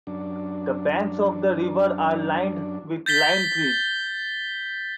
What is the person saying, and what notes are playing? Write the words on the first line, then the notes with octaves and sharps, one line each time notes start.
The banks of the river are lined with lime trees.
F#2 D4
G6 A6 B6 G7